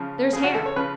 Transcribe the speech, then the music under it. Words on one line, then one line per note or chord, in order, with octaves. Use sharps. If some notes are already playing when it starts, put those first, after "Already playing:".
There's hair.
Already playing: C#3 F3
C#3 F3 G#4
F#4
A4
C#5
C#3 F3 B4